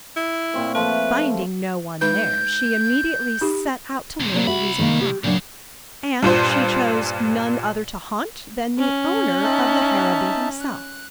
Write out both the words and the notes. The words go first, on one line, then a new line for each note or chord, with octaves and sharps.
Finding no one there, she immediately set out to learn the reason why, and she chose none other to haunt than the owner of the Harrowby himself.
E4
A#2 C4 C#5
F3 A3 B4
G#3 D#4 B4 G6
D#4 G4
D#2 C3
A2 C3 F#3 A#3 D5
C2 F#4 E5 B5
D#3 A#3
G4
A#2 C#3 F#3 D4
G2 A#2 F4 C5
C#4
D#4 E5 A5
F#6